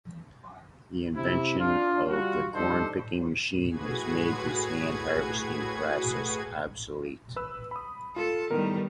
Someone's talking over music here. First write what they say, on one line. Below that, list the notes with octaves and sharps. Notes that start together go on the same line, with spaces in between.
The invention of the corn picking machine has made this hand harvesting process obsolete.
C3 E4
D4 F4
G3 F4 F#4
G3 D4 D#4 A4 C5
A2 F#4 G#4 B4 G#6
B4 E6
B5 D#6
F4 A4
A2 D#3 G3 B3 A#4